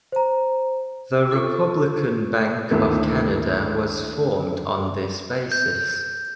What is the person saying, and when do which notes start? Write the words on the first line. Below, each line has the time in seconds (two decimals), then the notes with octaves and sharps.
The Republican Bank of Canada was formed on this basis.
0.12 C5 A#5
1.31 F4 A4 C#6
2.70 G#1 D2 A3 A#3 E4
5.52 G6